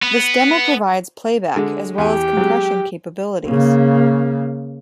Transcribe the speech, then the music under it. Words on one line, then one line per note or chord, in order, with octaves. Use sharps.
This demo provides playback as well as compression capabilities.
B3
D3 G#3
E2 G4 G#5
F#3 G#3
C#3 A#3